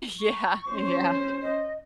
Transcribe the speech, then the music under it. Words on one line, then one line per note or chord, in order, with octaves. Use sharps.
Yeah, yeah.
C#6
C#4 C5
D#5